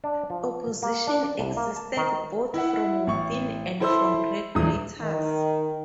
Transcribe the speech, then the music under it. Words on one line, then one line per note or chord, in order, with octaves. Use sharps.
Opposition existed both from within and from regulators.
D4
F3
A#3
D4
D5
C2
A#3
A5
D#3
E4 E5 F#5
A1 C#6
E4 A4 C5 B5 C6 E6
D#1 G#2 E3 D4 D#6
D#3